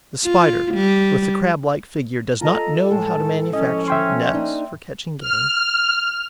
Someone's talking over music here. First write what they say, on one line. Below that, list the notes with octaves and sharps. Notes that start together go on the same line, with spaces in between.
The Spider with the Crab-like figure does not know how to manufacture nets for catching game.
F4
G3
F4 A4 D#5 A5 A#5
A2 G#3 A5
F3 C#4 D#5
E5 G5 C6
A#3 D4 D#4
F6